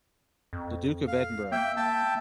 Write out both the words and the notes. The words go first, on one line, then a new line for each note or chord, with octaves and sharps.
The Duke of Edinburgh.
F2
F5
A#3 E5 G5
E5 G5 A5